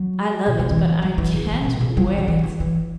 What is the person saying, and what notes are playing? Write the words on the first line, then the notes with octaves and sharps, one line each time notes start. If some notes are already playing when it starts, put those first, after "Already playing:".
I love it, but I can't wear it.
Already playing: F#3
B2
C#3
E3
F#3
E3
C#3
E3
C#3
B2
C#3
F#3
E3
C#3
E3
E3
E3